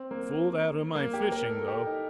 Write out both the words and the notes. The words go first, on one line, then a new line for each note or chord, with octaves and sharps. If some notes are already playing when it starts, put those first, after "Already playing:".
Fooled out of my fishing though.
Already playing: C4
A#3
A#3
G4
A#4
A4
G4
D#4